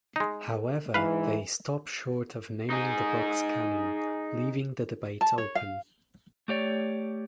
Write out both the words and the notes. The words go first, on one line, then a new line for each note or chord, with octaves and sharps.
However, they stop short of naming the books canon, leaving the debate open.
G#3 D#4
G#2 E3 B4 F5
D#4 G#4
A5
C#5
F5
A3 G4 C#5 D5